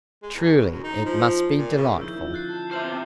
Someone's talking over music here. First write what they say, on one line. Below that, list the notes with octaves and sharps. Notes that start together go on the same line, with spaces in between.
Truly it must be delightful.
G#3
E2
C#3
F#2
D#4
F3
A#2
C#3
F3 D#4 E4 E6 G6
D3 C#4 F4
F#6 A6 C7
A5
C5 E5 F6 F#7
C3 G7